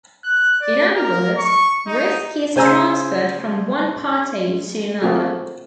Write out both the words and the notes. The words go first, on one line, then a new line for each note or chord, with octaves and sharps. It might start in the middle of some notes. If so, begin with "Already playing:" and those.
In other words, risk is transferred from one party to another.
F#6
D5
A#4
C#6
D#4
C#3 C5 G#5 A#5 E6
A3 A#3 C4 F4 F#4 G#4